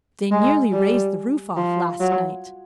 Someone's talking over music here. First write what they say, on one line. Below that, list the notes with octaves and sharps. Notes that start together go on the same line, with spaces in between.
They nearly raised the roof off last night.
G#3
G3
F3
F#3